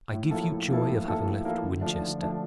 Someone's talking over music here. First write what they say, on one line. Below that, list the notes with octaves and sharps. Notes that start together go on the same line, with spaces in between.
I give you joy of having left Winchester.
A2
F3 A#3 E4 A4
A2
F3 A#3 E4 A4
A2
F3 A#3 E4 A4
A2
F3 A#3 E4 A4
D3
F3 A3 D4
D3
F3 A3 D4